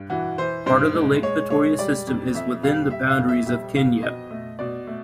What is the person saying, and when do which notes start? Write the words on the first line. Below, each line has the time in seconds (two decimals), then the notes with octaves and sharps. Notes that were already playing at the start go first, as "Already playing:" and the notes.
Part of the Lake Victoria system is within the boundaries of Kenya.
Already playing: G2
0.10 E3 F#4
0.38 E3 C5
0.66 G2 C5
0.94 G#3
1.22 G#3 C#5
1.50 G#3 C#5
1.79 G3 D5
2.07 F2
2.35 F2 E5
2.63 G3 F5
2.90 G3 E5
3.09 F5
3.19 F2
3.29 E5
3.46 G3 E5
3.75 F2 F5
4.03 B2 D#5
4.31 A3
4.59 B2 D5
4.87 A3